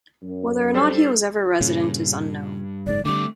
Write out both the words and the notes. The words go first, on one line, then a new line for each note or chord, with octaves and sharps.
Whether or not he was ever resident is unknown.
F#2
G3 A4 C5
G2 A#2 C#3
F#1 G#2 D5
D3 G3 A3 C4 D6